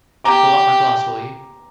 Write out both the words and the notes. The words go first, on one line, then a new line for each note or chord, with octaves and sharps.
Fill up my glass, will you?
G4 A#5 D6